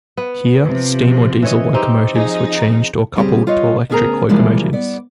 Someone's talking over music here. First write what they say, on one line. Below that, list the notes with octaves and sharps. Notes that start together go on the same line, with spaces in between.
Here, steam or diesel locomotives were changed or coupled to electric locomotives.
B3
C3 F3
E3 C#5 D#5
C4 D#4 G4
F3 D#4 G#4
C#3 G3 C4 D#4 G4 G#4
F4 B4 C#5 D#5 F5
D2 B3 C#4 G#4 A#4 A#5
C3 E3 F3 G3 G#3 A#3
B3 D5